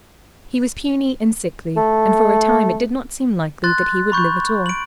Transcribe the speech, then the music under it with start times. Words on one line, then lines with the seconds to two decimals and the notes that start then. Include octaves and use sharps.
He was puny and sickly, and for a time it did not seem likely that he would live at all.
1.77 A3
3.64 C6 F#6 A6
4.12 B5 C#6 G6
4.66 D7 F#7